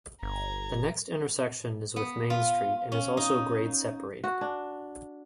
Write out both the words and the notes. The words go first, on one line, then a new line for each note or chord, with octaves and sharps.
The next intersection is with Main Street and is also grade-separated.
G1 A#5 G#6
B3
F4
C#4
D#4
F#4
D4